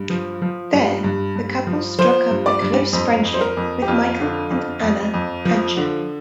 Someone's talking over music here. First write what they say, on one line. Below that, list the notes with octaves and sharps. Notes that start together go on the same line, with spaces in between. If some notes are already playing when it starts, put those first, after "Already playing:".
There the couple struck up a close friendship with Michael and Anna Ancher.
Already playing: G2
F3
F3
G2
G2
G2
F3
F3 C5
G2
D5
G2
F2 C5
F2
C5
A#4
F2
G4
F2 F4
D3
F2
F2
F2
F3
D3